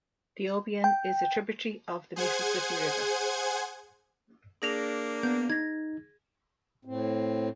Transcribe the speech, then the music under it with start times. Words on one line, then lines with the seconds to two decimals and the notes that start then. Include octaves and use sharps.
The Obion is a tributary of the Mississippi River.
0.84 G5
2.16 G#4 C5 F#5 G#5 G#6
4.62 A#3 D4 G#4 A#6 F7
5.23 B3 G6
5.50 D#4 G#6 A#6
6.85 A2 C4